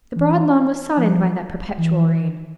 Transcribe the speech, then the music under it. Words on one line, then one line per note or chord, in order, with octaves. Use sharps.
The broad lawn was soddened by that perpetual rain.
E3
F3
E3